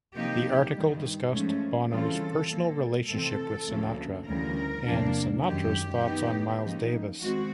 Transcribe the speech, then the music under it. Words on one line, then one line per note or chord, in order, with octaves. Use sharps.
The article discussed Bono's personal relationship with Sinatra, and Sinatra's thoughts on Miles Davis.
C3 F3 A#3 D#4 G4
G2 D#3 G3
G#2 F3 A3 C#4
C#3 E3 G3 C4 F4 A4
A#2 G3 A#3
C3 E3 A3 C4 A4
D2 C#3 F3 A#3
D2 C#3 E3 G3 A#4
E2 C3 F3 A#3 D4
F#2 D#3 G#3 G4
D#3 F#3 B3 D#4
C#3 F3 A#3 D#4
D#3 G#3 C4 F#4